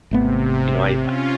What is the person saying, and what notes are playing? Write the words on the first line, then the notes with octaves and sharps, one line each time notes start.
You know, I
G#1 C3 A3 B3
C#4 F4